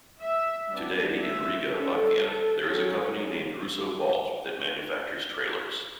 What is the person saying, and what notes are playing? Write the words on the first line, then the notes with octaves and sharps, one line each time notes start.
Today in Riga, Latvia, there is a company named Russo-Balt that manufactures trailers.
E5
G3 B3 D4
E5
G3 C#4 A4
F#3 C#4